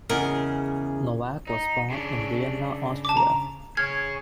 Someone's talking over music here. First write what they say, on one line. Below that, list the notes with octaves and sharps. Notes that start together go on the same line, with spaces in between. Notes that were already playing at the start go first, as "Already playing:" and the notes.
Nowak was born in Vienna, Austria.
E2 C#3 A#4 D#5
D#4
C#3 D4
A5 D6
A#5
G#4 C#5 F6 G#6